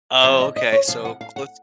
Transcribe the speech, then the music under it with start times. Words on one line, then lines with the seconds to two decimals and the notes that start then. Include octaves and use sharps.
Oh, okay. So, close.
0.24 C3 F3 C5
0.40 D#5
0.56 D#5
0.72 C#5
0.88 C3 F3 F5
1.05 F#5
1.21 F5
1.36 F#5